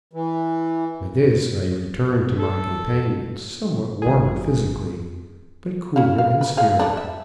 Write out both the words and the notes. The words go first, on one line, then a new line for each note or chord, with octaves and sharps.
With this I returned to my companions, somewhat warmer physically, but cooler in spirit.
E3
A4
G#1 G#4
C#4 E4 F5
F5
B4
G#4 F5
G3 A3 D4
E5